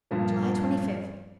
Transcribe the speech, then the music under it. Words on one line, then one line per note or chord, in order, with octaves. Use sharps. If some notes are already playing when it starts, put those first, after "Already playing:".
July Twenty-fifth.
G2 A#2 F3